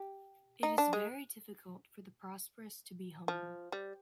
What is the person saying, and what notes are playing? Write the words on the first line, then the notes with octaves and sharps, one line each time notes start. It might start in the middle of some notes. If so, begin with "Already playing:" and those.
It is very difficult for the prosperous to be humble.
Already playing: G4
D#4
D4
G#3
F3
G3